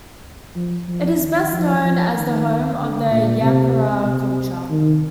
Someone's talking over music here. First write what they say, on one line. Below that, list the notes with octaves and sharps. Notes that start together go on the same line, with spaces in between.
It is best known as the home of the Yampara culture.
F3
F3
D#3
F3
F3
D#3
D3
A#2
C3
C3
D#3